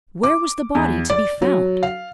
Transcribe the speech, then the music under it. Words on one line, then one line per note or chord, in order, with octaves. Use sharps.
Where was the body to be found?
D6
E2
D5
F#3
F5